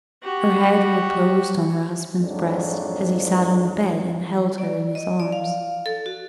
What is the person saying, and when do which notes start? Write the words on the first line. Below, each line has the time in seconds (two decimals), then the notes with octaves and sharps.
Her head reposed on her husband's breast as he sat on the bed and held her in his arms.
0.23 F#4 G4
2.19 F2 G#2 F#3 D4
4.58 D5
4.95 D#5
5.20 D5
5.32 F5
5.86 A4
6.06 F#4